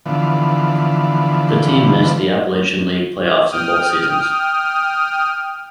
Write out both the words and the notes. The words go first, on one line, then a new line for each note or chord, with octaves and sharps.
The team missed the Appalachian League playoffs in both seasons.
D3 E3 F3 B3
G5 D#6 F6